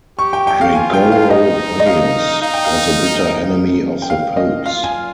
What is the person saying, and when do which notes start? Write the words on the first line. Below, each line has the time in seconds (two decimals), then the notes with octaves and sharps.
Gregorovius was a bitter enemy of the popes.
0.19 G4 C#6
0.33 G5
0.47 G5
0.61 F5
0.75 F4 G#5
0.93 G5
1.12 F5
1.30 D#4 D#5
1.80 D#5
1.86 F5
2.41 D#4 F5
2.54 G5
2.65 F5
4.02 G5
4.10 F5
4.37 D#5
4.65 F4 F5
4.84 G#5